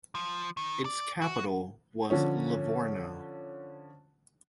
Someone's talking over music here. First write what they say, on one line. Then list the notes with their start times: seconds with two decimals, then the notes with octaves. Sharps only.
Its capital was Livorno.
0.15 F3
0.57 D#3
0.85 D5
1.22 F#4
2.10 D3 F3 C#4